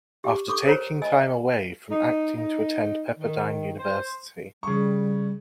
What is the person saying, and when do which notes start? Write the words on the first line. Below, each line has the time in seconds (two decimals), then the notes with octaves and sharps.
After taking time away from acting to attend Pepperdine University.
0.24 G4 D6
0.48 A4 C#6 D6
0.65 A#4 C5 C#5 A#5
1.02 D#5 G#5 E6
1.90 D#4
2.35 D#4
3.19 D#3
3.79 C5
4.63 C#3 G3 C#6